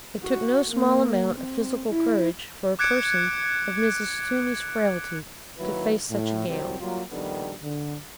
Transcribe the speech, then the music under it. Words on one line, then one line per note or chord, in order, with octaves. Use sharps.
It took no small amount of physical courage for a person of Mrs. Toomey's frailty to face such a gale.
F#4
A#3
C4
E4
D6 F#6 G#6 C#7 D7
D#3 F#3 A#3 E4 B4
A2
C2 F2 F#3 G3 C4 C5
F#3 G3 A#3 F4
A#1 D#3 G3 B3 D4 A4
D3